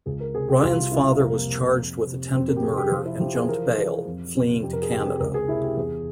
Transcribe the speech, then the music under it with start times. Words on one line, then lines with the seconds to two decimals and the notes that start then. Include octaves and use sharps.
Ryan's father was charged with attempted murder and jumped bail, fleeing to Canada.
0.06 C#2 G#4
0.20 A#4
0.34 C3 G#4
0.49 G4
0.63 C2 F4
0.91 C3 E4
1.20 F2 A#3
1.48 C3
1.77 F2
2.06 C3
2.34 F2 C4
2.48 A#4
2.56 G4
2.63 C3 G#4
2.77 G4
2.91 F3 F4
3.06 E4
3.20 F3 G4
3.34 G#4
3.48 E3 A#4
3.68 A#4
3.77 E3 G#4
4.05 F2
4.34 C3
4.63 F2 G4
4.73 A#4
4.82 G#4
4.91 C3 G4
5.06 G#4
5.20 C#2 A#4
5.34 G#4
5.48 C3 E4
5.63 G4
5.77 E2 G#4